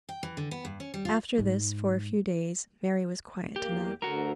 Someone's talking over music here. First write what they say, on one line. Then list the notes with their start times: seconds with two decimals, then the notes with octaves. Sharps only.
After this, for a few days, Mary was quiet enough.
0.09 G5
0.23 E3
0.37 D3
0.51 B3
0.65 G2
0.80 C#4
0.94 G3
1.05 F4
1.38 G#2 G#3
3.56 E2 A#3 G4
4.02 D2 D3 F#4 A#4